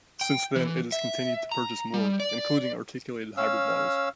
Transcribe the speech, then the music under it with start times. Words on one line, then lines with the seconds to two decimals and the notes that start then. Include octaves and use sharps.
Since then it has continued to purchase more, including articulated hybrid models.
0.21 G5
0.56 E3
0.92 E5
1.52 A#5
1.94 G3
2.20 D5
3.37 C#4 F5 E6